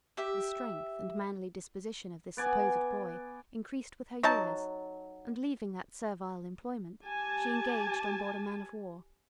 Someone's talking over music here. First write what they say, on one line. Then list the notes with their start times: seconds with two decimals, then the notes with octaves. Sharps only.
The strength and manly disposition of this supposed boy increased with her years, and leaving that servile employment, she engaged on board a man-of-war.
0.17 G4 E5
2.37 B3 D5 G#5
4.23 F#3 D#4 A5
7.05 G4 G#5 A5